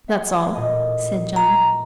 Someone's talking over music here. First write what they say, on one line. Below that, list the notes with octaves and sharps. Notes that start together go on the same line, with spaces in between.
"That's all," said John.
E5 F#5 A#5
A1 A#2 D#5
A#5